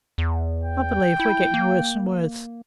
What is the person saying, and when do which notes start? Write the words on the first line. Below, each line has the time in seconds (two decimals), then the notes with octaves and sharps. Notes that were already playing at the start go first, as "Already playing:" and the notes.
I believe we're getting worse and worse.
0.18 E2
0.63 G5
1.20 E4
1.54 A#3